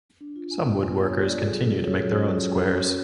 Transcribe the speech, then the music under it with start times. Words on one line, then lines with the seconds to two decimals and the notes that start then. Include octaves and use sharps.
Some woodworkers continue to make their own squares.
0.21 D4
0.36 F4
0.51 D4 G#5
0.66 B3
0.82 F4 G#5
0.97 D4 C#5
1.12 G#3
1.22 D5
1.28 F4
1.37 A4
1.43 F#3 G#4
1.58 C#4
1.64 A4
1.74 F#4
1.85 C#4 C#5
2.05 F#3
2.20 C#4
2.36 F#3
2.51 F#4
2.67 C#4
2.81 C#4